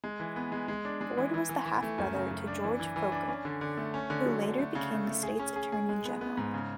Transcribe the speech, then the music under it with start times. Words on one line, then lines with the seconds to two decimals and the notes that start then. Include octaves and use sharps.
Ford was the half-brother to George Forquer, who later became the state's attorney general.
0.04 G#3
0.20 E3
0.36 B3
0.52 G#3
0.68 G#3
0.85 D4
1.01 G#3
1.17 E3
1.34 E3
1.49 E3
1.65 E3
1.82 A3
1.98 F#2
2.15 C#3
2.31 F#2
2.47 D4
2.63 E3
2.80 E3
2.96 E3
3.12 D4
3.28 C#4
3.45 D3
3.61 D3
3.77 A3
3.94 C#4
4.10 D3
4.26 F#3
4.42 D3
4.58 A3
4.75 C#3
4.91 A3
5.07 A3
5.23 G#4
5.39 C#4
5.56 G#4
5.72 G#4
5.89 G#3
6.05 B3
6.21 B3
6.37 G#2
6.54 C#3